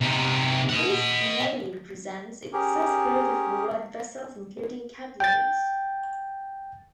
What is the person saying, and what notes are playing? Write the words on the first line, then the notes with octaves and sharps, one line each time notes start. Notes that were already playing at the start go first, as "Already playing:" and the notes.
These nevi represent excess growth of blood vessels, including capillaries.
C3 D#4
D#5 F#5
C#4 G4 G#4 A#4
G5 A6